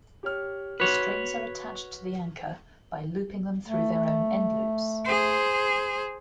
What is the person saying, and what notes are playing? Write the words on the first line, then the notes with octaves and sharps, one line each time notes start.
The strings are attached to the anchor by looping them through their own end-loops.
G4 C#5 F6
F#4 B4 C#5
A3
G#4 C5